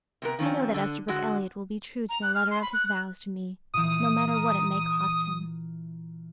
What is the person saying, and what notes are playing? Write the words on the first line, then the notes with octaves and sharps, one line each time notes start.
I know that Esterbrook Elliott will be true to the letter of his vows to me, no matter what it may cost him.
C3 B3 A#4
D#3 F3 C4 C#4
D3 D4
D3 G#3 F#4
A#5
F#6
F6
C6
B5
F#6
F#6
A#2 E3 D#6
A#4